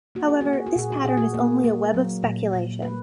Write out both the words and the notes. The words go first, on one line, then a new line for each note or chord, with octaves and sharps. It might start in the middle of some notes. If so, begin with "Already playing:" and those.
However, this pattern is only a web of speculation.
A#3 F#4
G#4
A#3 F#4
G#4
F#4
A#2 G#4
F#4
A#2 G#4
F#4
A#3
A#3
F#3
A#2
A#2
A#3 B4